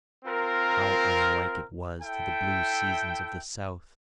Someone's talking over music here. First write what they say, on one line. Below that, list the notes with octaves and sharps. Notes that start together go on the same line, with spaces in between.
How unlike it was to the blue seasons of the south!
C4 F4 A#4
E4 A4 E5 G5